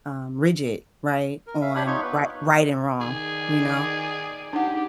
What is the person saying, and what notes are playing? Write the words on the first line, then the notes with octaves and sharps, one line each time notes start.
um, rigid, right? On, rig right and wrong, you know?
A#4
E5 F5
D4 G4 C#5 B5
D#4 F4 C#5 C#6
B3 B4
D#3 G#4 D5
D4 D#4 G4 F#5